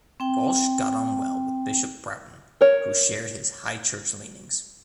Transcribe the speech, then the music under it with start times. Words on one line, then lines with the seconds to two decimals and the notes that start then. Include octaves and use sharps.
Walsh got on well with Bishop Broughton who shared his High Church leanings.
0.20 C4 G5
2.61 A#4 C#5